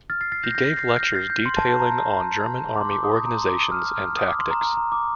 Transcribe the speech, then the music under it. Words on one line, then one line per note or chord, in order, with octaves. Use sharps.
He gave lectures detailing on German army organizations and tactics.
F6 A6
A6 C7
A6 C7
G6 A#6
G6 A#6
G6 A#6
A6 C7
F6
G6 A#6
A6 C7
G6
C6
A5
A5
A#5
D6
C6
D6
D#6
D#6
A#5
C6
D6
D#6
F6
F6
F6
D#6
D6
C6
A#5
A#5
A#5
D6